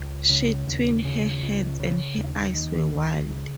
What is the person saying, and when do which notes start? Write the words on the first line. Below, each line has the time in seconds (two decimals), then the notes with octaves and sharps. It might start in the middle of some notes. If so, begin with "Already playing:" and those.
She twined her hands and her eyes were wild.
Already playing: C#2
0.30 C#3
0.67 D#2
1.05 C#3
1.42 C#2
1.80 C#3
2.17 D#2
2.55 D#3
2.92 C#2
3.30 C#3